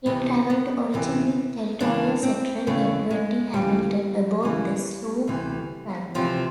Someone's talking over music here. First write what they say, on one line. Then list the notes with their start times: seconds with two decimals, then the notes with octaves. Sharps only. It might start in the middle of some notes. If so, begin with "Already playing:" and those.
He traveled to Oregon with Territorial Secretary Edward D. Hamilton aboard the sloop "Falmouth".
0.06 D2 C3 E3 B3
0.50 B3
0.93 D2 C3 E3
1.80 D#2 C#3 E3 D4
2.23 C4
2.67 D#2 C#3 E3 A3
3.10 G#3
3.54 D2 C#3 E3 G3
4.40 D2 C#3 E3
5.27 D2 C3 E3
6.14 D2 C3 E3 F3